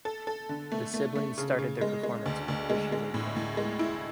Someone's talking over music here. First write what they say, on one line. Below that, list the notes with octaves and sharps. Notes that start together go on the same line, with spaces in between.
The siblings started their performance with "Wish You Were Gay".
A4
A4
D3
A3
A3
A3
C#3
C#3
G#3
G#3
D2
D2
G#3
G#3
A2
A2
G#3
E4